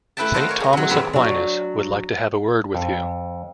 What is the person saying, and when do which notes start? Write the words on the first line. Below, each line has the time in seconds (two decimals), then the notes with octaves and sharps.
Saint Thomas Aquinas would like to have a word with you.
0.17 A3 E4 B4 E5 G5 A5
0.34 A4 C5 D5 D#5 F5 F#5
0.49 A#4 C#5
0.60 G#4 D#5
0.73 C3 F#3
0.89 E2 G#2 B3 C4 E5 F5
1.13 F#3 D4
2.75 F2